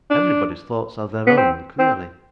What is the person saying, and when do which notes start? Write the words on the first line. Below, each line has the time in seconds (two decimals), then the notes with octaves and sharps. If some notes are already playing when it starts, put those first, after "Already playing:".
Everybody's thoughts are their own, clearly.'
0.11 D4
1.27 B3
1.37 C4
1.79 C4